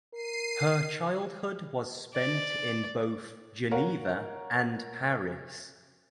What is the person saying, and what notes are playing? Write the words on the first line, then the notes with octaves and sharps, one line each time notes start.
Her childhood was spent in both Geneva and Paris.
A#4 C7 D#7
D5
A#4 C#5 F5 F#5